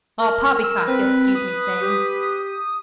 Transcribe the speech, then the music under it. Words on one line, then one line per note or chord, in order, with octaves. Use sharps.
All poppycock, you'll scuse me saying.
A#4
E6
C4 B4
D#6
G4